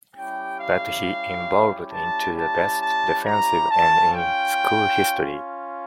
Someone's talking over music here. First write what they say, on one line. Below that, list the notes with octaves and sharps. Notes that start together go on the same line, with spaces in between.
But he evolved into the best defensive end in school history.
G3 C#4 E4 G4 G5
F5
A5
A5
A5
A#5
C#4 F4 A5
G5